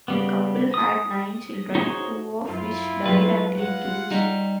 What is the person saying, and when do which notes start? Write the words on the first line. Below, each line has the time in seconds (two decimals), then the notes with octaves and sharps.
The couple had nine children, two of which died at young age.
0.08 C#3 G3 B3
0.74 D#6
1.75 D#4 F#4 G#4 C5 C#5
2.48 F#2 E4 F4
3.06 F#3 G#3 B4 C5
3.58 G#3 F4 F#5
4.11 G3 D#4